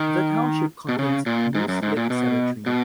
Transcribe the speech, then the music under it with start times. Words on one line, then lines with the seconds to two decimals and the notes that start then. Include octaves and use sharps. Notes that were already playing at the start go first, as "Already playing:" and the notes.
The township contains Moose Lake Cemetery.
Already playing: D#3
0.89 B2
0.99 C#3
1.26 A#2
1.55 G#2
1.68 F#2
1.82 G#2
1.97 A#2
2.10 B2
2.66 B2